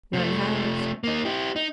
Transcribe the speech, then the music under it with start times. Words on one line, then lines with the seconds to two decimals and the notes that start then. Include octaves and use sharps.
"None has."
0.13 C3 A3
1.04 A#3 D#4
1.25 E4 G4
1.56 D#4